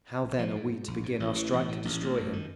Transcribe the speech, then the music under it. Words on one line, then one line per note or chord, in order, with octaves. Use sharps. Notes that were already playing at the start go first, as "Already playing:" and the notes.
How then are we to begin our strike to destroy him?
A#1
F3
G#2
G#2
A#1
G#2
A1
E3
A1
A2
A1
A1
F#2
D#3